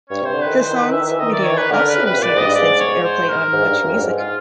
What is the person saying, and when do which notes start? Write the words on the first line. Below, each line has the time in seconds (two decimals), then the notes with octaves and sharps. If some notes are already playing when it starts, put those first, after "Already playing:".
The song's video also received extensive airplay on MuchMusic.
0.10 G2 C#5
0.22 C3 C5
0.34 D3
0.42 D#3 B4
0.56 E3 C5
0.65 D#3
0.75 E3 B4
0.84 D#3
0.91 E3 E5
1.02 D#3
1.08 E3 E5
1.20 D#3 D#5
1.32 D5
1.44 C#5
1.52 E3
1.57 D#3 B4
1.69 D3
1.73 A#4
1.81 D3
1.90 C#3 B4
2.05 C3 B4
2.18 A#2 D5
2.30 G#2
2.39 G2 D#5
2.55 G#2 D5
2.80 C#5
3.04 C5
3.28 A#4
3.53 G#2
3.66 G2
3.84 F#2
3.90 F2
3.96 G2
4.03 G#2
4.18 F4